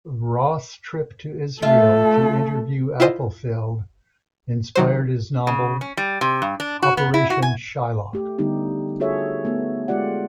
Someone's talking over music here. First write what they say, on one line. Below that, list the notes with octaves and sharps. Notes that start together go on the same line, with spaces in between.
Roth's trip to Israel to interview Appelfeld inspired his novel "Operation Shylock".
A3 F4 A4 E5
E4 F4 C5 D#5
D#3 F#3 C5
C#3
C#4
G3
C3
G2
D4
F#4
B3
E4
F#4
G#5
A3 G4
D3 G3 B3 D#4 G4
F4 F#4 G#4 A4 C#5 E5
A3 B3
G#3 F4 G4 D5 F#5